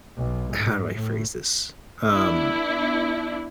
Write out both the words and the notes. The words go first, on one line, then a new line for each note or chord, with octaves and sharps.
How do I phrase this? Um,
B1
G#2
A2
B3 D4 E4